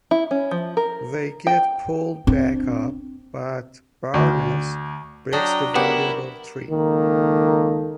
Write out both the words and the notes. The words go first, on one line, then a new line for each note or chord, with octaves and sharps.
They get pulled back up, but Barnes breaks the valuable tree.
E4
C#4
F3
A#4
G5
C4 D4
D2
F#3 D4 D#5 G5 A#5
B3 E4 G4 A#4 F#5
C#2 D#3 A#3 A4 A#4